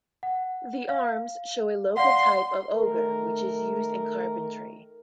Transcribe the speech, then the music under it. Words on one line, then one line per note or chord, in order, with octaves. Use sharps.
The arms show a local type of auger which is used in carpentry.
F#5
F5
D5 F5 F#5 C6
D#3 A3 A#4